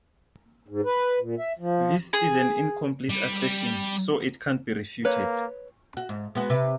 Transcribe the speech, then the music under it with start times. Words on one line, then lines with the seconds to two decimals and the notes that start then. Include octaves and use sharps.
This is an incomplete assertion, so it can't be refuted.
0.68 G#2
0.85 B4
1.21 A#2
1.39 E5
1.59 F3
2.13 G#4
3.09 G3
5.05 A#3 B4 C#5
5.97 F#4
6.09 G#2
6.35 G#3 B3 F#4
6.50 C3 B4